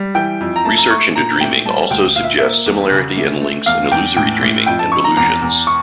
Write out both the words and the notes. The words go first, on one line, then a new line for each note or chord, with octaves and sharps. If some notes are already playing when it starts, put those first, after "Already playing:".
Research into dreaming also suggests similarity and links in illusory dreaming and delusions.
Already playing: G3
E3 G5
F2
A#5
A3 A5
A#5
A3 C#6
A#2 A#5
A3 G5
G3 A5
D2 G5
A#2 F5
E5
A#3 E5
E2
C#3
A3
A3
E2 F5
E2 G5
A2 G5
A2
F2 G5
A5
F2 C#6
A#5
E2 A#5
E2
C#6